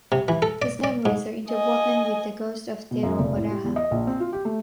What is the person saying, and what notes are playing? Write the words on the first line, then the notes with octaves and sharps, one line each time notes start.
His memories are interwoven with the ghost of Te Rauparaha.
C3
E3
A4
D5
D5
G#2
D#5 G#5
B2
F#2
F1
A2
G4
E2
D#5
A#1
C4
F4
G4
A3